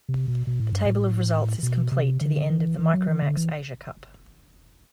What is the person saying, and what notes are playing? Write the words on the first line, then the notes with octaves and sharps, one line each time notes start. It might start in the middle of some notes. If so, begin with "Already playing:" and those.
The table of results is complete to the end of the Micromax Asia Cup.
C3
B2
B2
A2
G2
A2
B2
C3
D3
E3
E3
F#3
E3
D3
E3